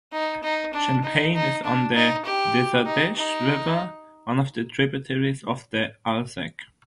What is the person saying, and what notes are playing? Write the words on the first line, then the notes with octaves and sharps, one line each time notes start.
Champagne is on the Dezadeash River, one of the tributaries of the Alsek.
D#4
D#4
D4
D#4
D#4
D4
D#4
G4
D#4
D#4